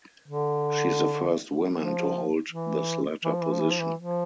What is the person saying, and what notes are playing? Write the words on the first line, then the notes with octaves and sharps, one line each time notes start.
She is the first woman to hold this latter position.
D3
F3
E3
E3
F3
E3
F3
E3
F3
E3
F3